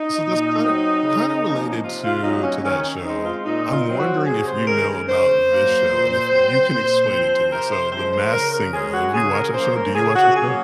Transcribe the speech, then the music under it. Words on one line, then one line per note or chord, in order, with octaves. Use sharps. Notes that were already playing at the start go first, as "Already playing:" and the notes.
So, this kinda kinda related to to that show, I'm wondering if you know about this show, and if you can explain it to me, so, The Masked Singer, have you watched that show do you watch that show?
Already playing: D#4
A#2
F#3 C4
C#3
F3 A#3 C#4
C3 F4
F4
F#3 A#3 C#4 D#4
C#4
D#3 C#4
G#3 C4 D#4
F4
A#2 D#4
F4
F#3 C4
F#4
C3 G#4
C5
D#3 G#3 C#4 A#4
C#3 C5
F#3 A#3
A#2
F#3 C4
A#2
F3 C4
C3 A#4
C5
F3 G#3 C5
C5
C#3 A#4
A#4
G#3 C#4 G#4
F#4
C#3 G#4
A#4
F3 A#3 C#4 C5
A#4
C#3 G#4
F#4
F#3 A#3 C#4 G#4